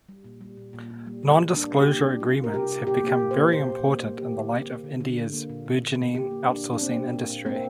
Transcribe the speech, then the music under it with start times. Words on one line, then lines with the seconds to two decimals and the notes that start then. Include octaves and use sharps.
Non-disclosure agreements have become very important in light of India's burgeoning outsourcing industry.
0.09 G3
0.24 A#2
0.41 G3
0.57 A#2
0.73 A#2
0.90 A#2
1.07 G3
1.23 G3
1.39 A#3
1.56 G3 D4
1.72 C3
1.78 G4
1.89 A#3
1.99 D4
2.05 A#3
2.21 G3 F4
2.38 C3
2.44 A#4
2.54 C3 G4
2.71 C3
2.87 A#2 G4
3.03 A#3
3.09 G4
3.20 A#2
3.31 C5
3.36 A#3
3.53 A#2 C5
3.70 A#2
3.85 A#3
4.02 A#3
4.18 A#3 G4
4.35 D3
4.51 A#3
4.67 A#3
4.84 D3
5.00 D3
5.17 D3
5.33 A#3
5.50 A#2
5.66 A#2
5.82 A#3
5.99 A#2
6.15 A#2 G4
6.31 A#3
6.48 A#2 D4
6.65 A#2
6.73 D4
6.81 A#3 C4
6.97 A#3
7.13 A#3
7.30 A#2
7.46 A#3 C4